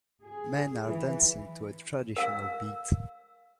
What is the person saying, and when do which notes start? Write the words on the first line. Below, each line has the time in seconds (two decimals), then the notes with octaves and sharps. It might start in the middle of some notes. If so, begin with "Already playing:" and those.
Men are dancing to a traditional beat.
0.22 G#4
0.86 E3
2.17 A#4 F5 E6